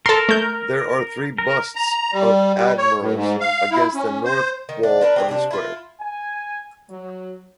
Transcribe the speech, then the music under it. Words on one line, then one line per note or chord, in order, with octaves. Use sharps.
There are three busts of admirals against the north wall of the square.
A4 A#4 C6
A3 G6
A#4
A#5
G3
G3
C#5
A2
G#2
F5
E4
C#4
C5
D#3
D4
D4 A#4 B4
C4 G4 G#4
C3 D4
E4 F4
G#5
F#3